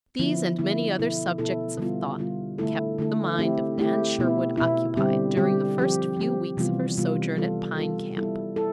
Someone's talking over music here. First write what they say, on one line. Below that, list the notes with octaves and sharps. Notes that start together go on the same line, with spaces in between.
These, and many other subjects of thought, kept the mind of Nan Sherwood occupied during the first few weeks of her sojourn at Pine Camp.
D3 F3 B3 E4
D3 F3 B3 E4
B2 B3 E4 A4
B2 B3 E4 A4
D3 G3 B3 F4
D3 G3 B3 F4
D3 A3 E4 A4
D3 A3 E4 A4
A3 C4 E4 G4
A3 C4 E4 G4
B2 B3 E4
B2 B3 E4
D3 G3 C4 G4
D3 G3 C4 G4
F3 C4 G4
F3 C4 G4
C3 E3 G3 B3 F4
C3 E3 G3 B3 F4
G3 B3 F4 A4
G3 B3 F4 A4
G3 B3 E4 A4
E4 A4